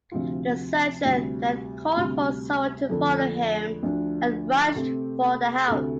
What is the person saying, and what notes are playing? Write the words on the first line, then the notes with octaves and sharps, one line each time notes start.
The sergeant then called for someone to follow him and rushed for the house.
D2 C3 F3 C4 F4
D2 C3 G3
D2 C3 G3
F2 D3 A3 D4 A4
D2 D3 F3 D4
C3 A3 C4 G4
D2 C3 A3